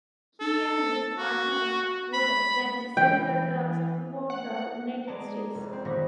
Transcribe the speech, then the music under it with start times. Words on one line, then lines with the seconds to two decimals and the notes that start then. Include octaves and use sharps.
He and his partners would then sell the drugs throughout the United States.
0.40 A4
1.18 F#4
2.13 B5
2.97 E3 G5
4.30 F#5
5.07 G#3 D5 A5 A#5
5.27 G#4
5.55 F1
5.73 C4
5.85 A#2 D#3 G3 B3 C#6 A#6